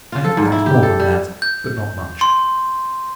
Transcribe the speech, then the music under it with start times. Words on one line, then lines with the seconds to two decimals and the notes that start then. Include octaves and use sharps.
I have packed more than that, but not much.
0.12 F4
0.24 A4
0.37 G#2
0.52 E4
0.66 G4
0.83 A4
1.00 G3
1.42 G6
2.21 C6